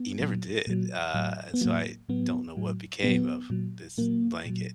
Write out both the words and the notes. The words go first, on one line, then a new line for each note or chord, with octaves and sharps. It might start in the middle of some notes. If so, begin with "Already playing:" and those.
he never did. Uh, and so I don't know what became of this blanket,
Already playing: B3
A#2 F#3
A#2 F#3
A2 F#3
B3
A2 F#3 A#3
A2 F#3 B3
A2 F#3
A#2 F#3 B3
A#2 F#3
A#2 F#3 A#3
A#2 F#3